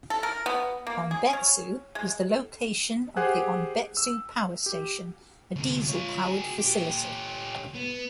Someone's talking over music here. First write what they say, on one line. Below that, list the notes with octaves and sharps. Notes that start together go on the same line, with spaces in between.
Onbetsu is the location of the Onbetsu Power Station, a diesel-powered facility.
A4
A#4
B3
A#3
G#4
C#4
G#3
G4 G#4 C5 F#5 G#5 F#6
E6
G4
D2 C3
F4 C#5
F#4 G#4
C#4 G4
B3